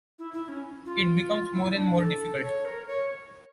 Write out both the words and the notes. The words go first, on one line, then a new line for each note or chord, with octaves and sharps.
It becomes more and more difficult.
E4
E4
C#4
F4
E4
D4
A4
C#5
A#4
C#5